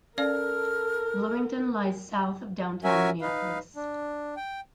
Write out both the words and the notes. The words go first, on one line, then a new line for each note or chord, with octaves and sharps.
Bloomington lies south of downtown Minneapolis.
C#4 A4 A#4 D5 F5 F6
C#4 F#4 A#4 E5 G#5
D#4 B4 F5
D4
G5